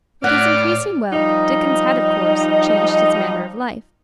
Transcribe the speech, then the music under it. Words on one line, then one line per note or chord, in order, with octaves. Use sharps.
With his increasing wealth, Dickens had, of course, changed his manner of life.
A2 D5 F#5 D6 F6
F3 G3 D#4